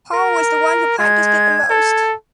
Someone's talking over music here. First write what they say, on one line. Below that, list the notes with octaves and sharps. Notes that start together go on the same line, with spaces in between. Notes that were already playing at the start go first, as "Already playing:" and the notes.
Paul was the one who practiced it the most.
A#4
G#3 G#6
A4